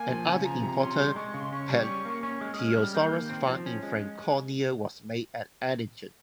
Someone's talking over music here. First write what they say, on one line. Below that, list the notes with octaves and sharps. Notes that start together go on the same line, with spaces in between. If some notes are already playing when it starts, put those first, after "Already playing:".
Another important "Plateosaurus" find in Franconia was made at Ellingen.
Already playing: A#3 G#5
F3
C#3
F3 A#5
C3
C#4 C6
G3
G#3 C#6
C#6
C#3
C6
C#4 C#6
G3
C#4
A#3
C#4 C#6
G#3 F6
D#6
C#4 F6
G3
A#3 G6
D#3
C4
F3
C#4
G#3